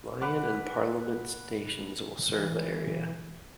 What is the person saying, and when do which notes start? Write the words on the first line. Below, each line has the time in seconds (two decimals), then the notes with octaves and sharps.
Lyon and Parliament Stations will serve the area.
0.21 B4 F#5 D6
2.33 E3